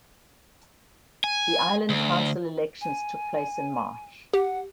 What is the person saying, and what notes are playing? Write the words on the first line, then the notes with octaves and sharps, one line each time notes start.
The island council elections took place in March.
G#5
D2
G#5
G4 F#5